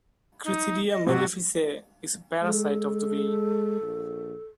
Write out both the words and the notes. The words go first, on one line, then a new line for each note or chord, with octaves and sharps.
"Crithidia mellificae", is a parasite of the bee.
D#4
D#5
G#2 C3 F#4
G#3 A4
A#1